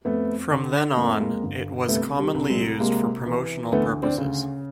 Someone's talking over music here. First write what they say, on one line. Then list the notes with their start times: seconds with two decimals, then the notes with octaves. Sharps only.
From then on it was commonly used for promotional purposes.
0.05 F2 A3 B3
0.51 D3
0.97 F2 A#3
1.09 A3
1.20 G#3 A#3
1.43 G1
1.89 C2 A3 B3
2.19 G3
2.35 C2
2.50 F#3 G#3
2.80 C3 G#3 A#3
3.26 E3
3.72 D2 A3 B3
4.03 C4 D4
4.18 C#3